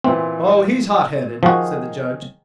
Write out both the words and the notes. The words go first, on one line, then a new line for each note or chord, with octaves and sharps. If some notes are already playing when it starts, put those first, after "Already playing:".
"Oh, he's hot-headed," said the Judge.
A#2 E3 C4
D#3 F3 F#4 G#4